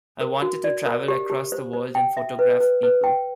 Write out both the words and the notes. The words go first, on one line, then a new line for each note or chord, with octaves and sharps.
I wanted to travel across the world and photograph people.
A#4
F#4
D5
A#4
G4
G4
C5
C5
G5
E5
B4
B4
B4
G5